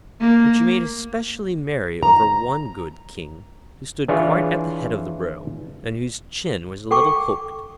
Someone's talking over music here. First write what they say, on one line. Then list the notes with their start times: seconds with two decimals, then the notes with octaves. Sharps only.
But she made specially merry over one good King, who stood quite at the head of the row, and whose chin was a little hooked.
0.20 A#3
2.03 A#5
4.08 E3 D4 E4 F4 G#4 C#5
6.91 A4 G5 C#6 D6